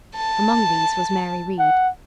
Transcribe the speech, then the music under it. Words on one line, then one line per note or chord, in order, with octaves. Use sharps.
Among these was Mary Read.
A5
F#5